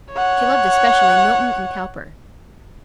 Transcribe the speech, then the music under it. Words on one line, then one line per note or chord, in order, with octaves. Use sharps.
She loved especially Milton and Cowper.
C#5 F#5